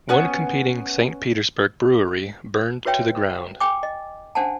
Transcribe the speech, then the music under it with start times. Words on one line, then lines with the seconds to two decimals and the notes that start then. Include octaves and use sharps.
One competing Saint Petersburg brewery burned to the ground.
0.09 B3 C#4 F#6
2.85 F#4 B4 C#5 E5 G5
3.60 G5 G#5 D6
3.83 D#5
4.35 C#4 D4 C5 F#5 G#5 A5